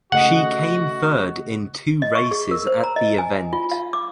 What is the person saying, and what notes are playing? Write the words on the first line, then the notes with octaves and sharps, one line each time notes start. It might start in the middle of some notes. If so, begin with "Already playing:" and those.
She came third in two races at the event.
C#3 A3 F#4 D#5 F#5
D#5
C#6
G#4
A#4
C5
A#5
D#5
G#5
F4
F5
D6